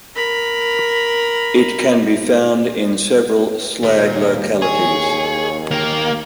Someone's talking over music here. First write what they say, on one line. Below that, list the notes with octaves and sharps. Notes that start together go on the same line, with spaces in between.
It can be found in several slag localities.
A#4 B5
D#2 A#2
G#4 C#5
D#3 A#3 G5